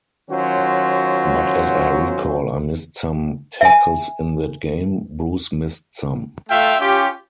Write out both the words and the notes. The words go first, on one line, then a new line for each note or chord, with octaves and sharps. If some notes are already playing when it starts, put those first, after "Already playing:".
But as I recall, I missed some tackles in that game, Bruce missed some.
D#3 F#3 C#4 F4 F#4 C5
E5 G#5
A3 F4 E5 F5 G5
C#4 F4 G4